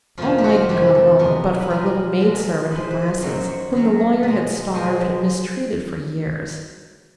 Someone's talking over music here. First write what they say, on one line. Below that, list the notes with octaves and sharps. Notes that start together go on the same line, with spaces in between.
All might have gone wrong but for a little maid-servant of Brass's, whom the lawyer had starved and mistreated for years.
F2 C3 D#3 F4
G4
F#4
F2 C3 D#3 G4
A4
B2 G#3 A#4
B4
B2 G#3 A#4
B2 G#3
B2 G#3 B4
C5
B4
F#2 D#3 F#3 C5
C#5
F#2 D#3 F#3
B2 G#3
B2 G#3 C5